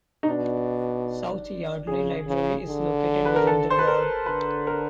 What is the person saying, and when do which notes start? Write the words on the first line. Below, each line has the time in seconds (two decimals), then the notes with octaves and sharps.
South Yardley Library is located within the ward.
0.23 D#4
0.27 B2 D4
1.87 C#3 G#4
2.27 C#3
2.68 D3
3.25 B4
3.36 A#4
3.47 A4
3.70 C5
3.79 B4
3.87 A#4
4.26 D3 B4
4.67 A#4